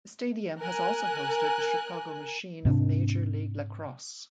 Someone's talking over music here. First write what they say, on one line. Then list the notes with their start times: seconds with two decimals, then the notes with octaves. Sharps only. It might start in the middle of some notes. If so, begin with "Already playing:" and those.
The stadium has also hosted the Chicago Machine of Major League Lacrosse.
0.60 A#4 G#5 F#6
2.65 G#2 C3 C4 D4